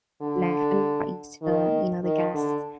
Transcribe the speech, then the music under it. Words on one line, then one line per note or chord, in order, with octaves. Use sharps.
night, kinda got used to the you know, the guests,
D3
D#3
D#3
D3